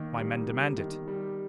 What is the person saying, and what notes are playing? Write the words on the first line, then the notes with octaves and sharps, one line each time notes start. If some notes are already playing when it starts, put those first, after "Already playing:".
My men demand it.
Already playing: D#3 A#3
G3
G3
D#3
G3